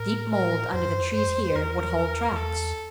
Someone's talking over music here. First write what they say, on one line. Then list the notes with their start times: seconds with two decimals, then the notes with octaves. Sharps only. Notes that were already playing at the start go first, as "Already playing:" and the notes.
Deep mold under the trees here would hold tracks.
Already playing: A2 A#4
0.33 A#4
0.73 F2 C5
0.87 G2
1.00 F2
1.14 G2 C5
1.27 F2
1.55 E2 A#4
2.32 F2
2.36 E2 A4